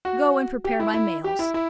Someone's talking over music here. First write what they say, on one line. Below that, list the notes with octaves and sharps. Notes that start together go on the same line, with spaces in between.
"Go and prepare my mails."
F#4
G4
E4
E4
G4
E4
E4